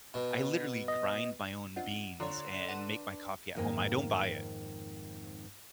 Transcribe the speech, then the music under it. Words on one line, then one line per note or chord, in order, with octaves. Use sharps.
I literally grind my own beans and make my coffee at home, I don't buy it,
B2
D#5
C4 D4 F4 D#5 F#5
D3 F4 C5 C#5 A#5
D4 B4 F#5 D#7 E7
F2 G#2 D#3 A#3 D#4